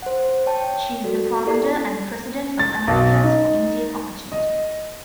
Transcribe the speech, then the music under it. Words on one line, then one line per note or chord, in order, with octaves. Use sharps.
She is the founder and president of Americans for Indian Opportunity.
C5 F#5
C#5 G5 A5
F#4 A4 D5
E4 G4 A4 D5 C7
A6
B1
D#4
D#5